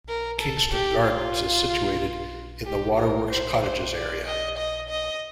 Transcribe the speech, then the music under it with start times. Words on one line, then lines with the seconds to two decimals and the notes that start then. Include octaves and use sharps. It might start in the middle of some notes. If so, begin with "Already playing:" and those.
Kingston Gardens is situated in the Waterworks Cottages area.
0.08 A#4
0.40 A4
0.72 G4
1.04 F4
2.65 G4
2.97 A#4
3.29 C5
3.61 C5
3.93 D5
4.26 D#5
4.58 D#5
4.90 D#5